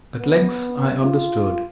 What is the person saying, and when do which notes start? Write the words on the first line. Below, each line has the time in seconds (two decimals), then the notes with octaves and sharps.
At length I understood.
0.20 B3
1.02 F4